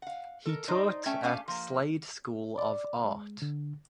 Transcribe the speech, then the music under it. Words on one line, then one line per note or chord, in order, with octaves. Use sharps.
He taught at Slade School of Art.
F5 F#5
A4 A#4
D#4 C5 D5
A3 C#4 E5 G5 A5
A3 C#4 G4 F5 G#5
F3 A#3
D5
G#3
D3